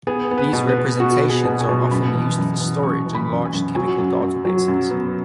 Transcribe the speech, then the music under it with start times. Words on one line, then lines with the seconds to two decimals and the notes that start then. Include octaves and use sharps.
These representations are often used for storage in large chemical databases.
0.07 B3 G#4
0.31 B3
0.38 B4
0.53 B2
0.69 B4
0.77 B3
1.00 B3 F#4
1.23 B3
1.30 G#4
1.45 B2
1.60 G#5
1.69 B2
1.91 F#2 B5
2.14 E3
2.38 F#2
2.61 E3
2.83 F#2 C#6
3.06 E3
3.15 B5
3.29 F#2
3.45 G#5
3.53 F#2
3.75 F#3 G#5
3.99 F#2
4.21 F#2
4.45 F#3
4.68 F#2
4.90 B3